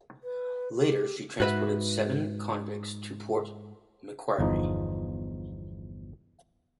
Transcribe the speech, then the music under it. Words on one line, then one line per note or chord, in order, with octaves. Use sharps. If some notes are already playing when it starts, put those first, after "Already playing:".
Later she transported seven convicts to Port Macquarie.
B4
G4
G#2 F#4 B4 E5
G1 E2 F3 D#4